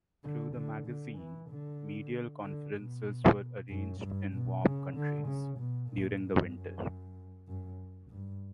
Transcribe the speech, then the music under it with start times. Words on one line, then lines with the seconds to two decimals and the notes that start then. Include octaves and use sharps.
Through the magazine, medial conferences were arranged in warm countries, during the winter.
0.24 D3
0.55 D3
0.86 D3
1.18 E3
1.49 D3
2.44 D3
2.76 B2
3.69 F#2
4.01 G2
4.33 B2
4.64 C#3
4.96 D3
5.27 C#3
5.58 B2
5.90 A#2
6.22 G2
6.53 F#2
7.47 F#2
8.11 G2